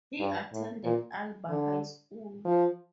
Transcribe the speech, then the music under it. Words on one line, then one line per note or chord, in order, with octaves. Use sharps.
He attended Alba High School.
G2
A2
A#2
D3
F3